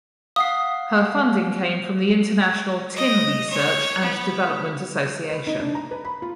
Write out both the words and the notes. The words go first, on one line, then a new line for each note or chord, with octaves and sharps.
Her funding came from the International Tin Research and Development Association.
F5 F#5 D#6 C7
D#5
C#5
B3
B4
D#4
D4
A#5
B4
B5
F4